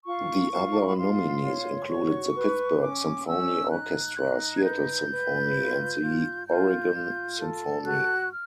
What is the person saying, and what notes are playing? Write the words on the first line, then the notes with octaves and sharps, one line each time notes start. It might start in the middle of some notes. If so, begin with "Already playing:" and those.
The other nominees included the Pittsburgh Symphony Orchestra, Seattle Symphony and The Oregon Symphony.
F4 C#6
F4
A5
A#5
B5
F4 C6
C#5
F#4 C#6
B4
C#4 D6
C#4 E6
D#4 F#6
D#4
G#6
B4 G6
B4
F4
F4
F4 G6
F4
A4
F#4 F#6
F6